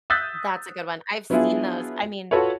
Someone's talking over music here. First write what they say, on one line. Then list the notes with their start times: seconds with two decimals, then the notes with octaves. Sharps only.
That's a good one, I've seen those, I mean
0.10 D#6 E6 F#6 G6 A6 B6
1.30 F#3 B3 D4 E4 F4 G#4
2.31 F4 F#4 A4 B4 C#5